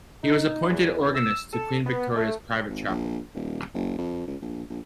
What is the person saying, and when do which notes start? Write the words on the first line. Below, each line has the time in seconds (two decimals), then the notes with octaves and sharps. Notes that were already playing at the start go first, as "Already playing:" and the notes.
He was appointed organist to Queen Victoria's private chapel.
0.23 D#4
0.69 E2
1.15 E6
1.53 A4
1.86 B3
2.16 A3
2.69 G#1
2.88 A#1
3.35 D#1
3.74 F#1
3.98 F2
4.27 C#2
4.41 A#1
4.69 A#1